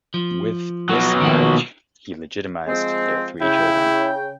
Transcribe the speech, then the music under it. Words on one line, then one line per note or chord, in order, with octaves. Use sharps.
With this marriage he legitimized their three children.
F3
B2 F#3
D#3 F3 A#3
F3 G#3 C4
C#3 E4 G5